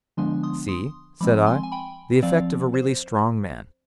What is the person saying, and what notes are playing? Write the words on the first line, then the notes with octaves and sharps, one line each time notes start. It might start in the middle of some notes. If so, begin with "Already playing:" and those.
'See!' said I, 'the effect of a really strong man.
D3 F3 G#3 B3 D4 G#5 C6
C6 D#6
C6 D#6
F3 G#3 C4 B5 D6
G#5 C6
G#5
G5 B5
F3 C4 D5 F5
C5